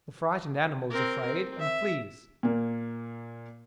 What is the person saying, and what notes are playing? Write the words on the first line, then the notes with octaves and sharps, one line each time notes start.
The frightened animal is afraid and flees.
C4 A#4
C4
E5
A#2 A#3